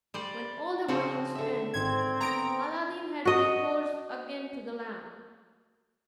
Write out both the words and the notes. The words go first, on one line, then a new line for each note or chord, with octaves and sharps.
When all the money was spent, Aladdin had recourse again to the lamp.
G3 C5 D5
C#3 F3 C4 F#4
D3 E5
G#1 C4 G#6
B3 A#5 D7
F#4 D#5